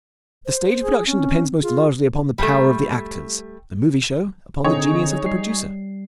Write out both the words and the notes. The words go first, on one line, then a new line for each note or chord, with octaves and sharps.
The stage-production depends most largely upon the power of the actors, the movie show upon the genius of the producer.
C5
G#4
C4 C#4
F4 G#4
G3 A3
D3 C4 D#4 G#4 C#5
G3 C7